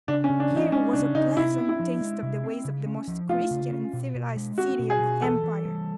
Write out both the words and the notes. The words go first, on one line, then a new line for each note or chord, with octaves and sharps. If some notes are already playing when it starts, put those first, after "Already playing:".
Here was a pleasant taste of the ways of the most Christian and civilised city of the Empire!
C#3 D4
C#4
C#3
D4
E3
D#4
G#3 C#4
C#3 D4
C#3 D#4
C3 E4
C4
E4
F3
G#3
C3
C4
C#3
C#4
F3
A3 F4
C#3
C#4
B2
B2
G#3
C4 F#4
B2
G#4
B2
E3 A4
E3
G3